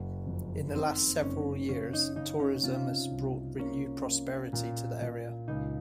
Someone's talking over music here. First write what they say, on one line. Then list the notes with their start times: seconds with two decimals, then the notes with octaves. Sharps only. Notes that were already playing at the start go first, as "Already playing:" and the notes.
In the last several years, tourism has brought renewed prosperity to the area.
Already playing: F#1 F#3
0.27 F2
0.74 D#3 C4
1.22 F#1 C#4
1.69 C#3 C#4
1.93 D#4
2.16 C#3 D#4
2.40 C#4
2.63 C3 F4
3.11 C2
3.58 A#3 C#4
4.06 A#3
4.53 A#2
5.01 A#2
5.48 C#2 D#4